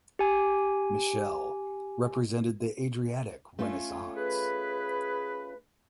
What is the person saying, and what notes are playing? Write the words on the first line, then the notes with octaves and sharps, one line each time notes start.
Michele represented the Adriatic renaissance.
G4 G#5
A3 C#4 F4
G#4 B4